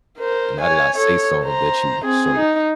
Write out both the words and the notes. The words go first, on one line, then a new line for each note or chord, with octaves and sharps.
and now that I say something that you so
A#4 C5
C#5 G#5
A4 C#5
C5 A#5
C4 G#4
D#4